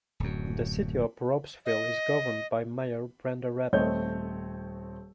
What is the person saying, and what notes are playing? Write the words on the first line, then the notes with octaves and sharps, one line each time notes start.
The city of Ropesville is governed by Mayor Brenda Rabel.
D1 F#2
D#5
D#1 A3 C4 C#5 D#5 G6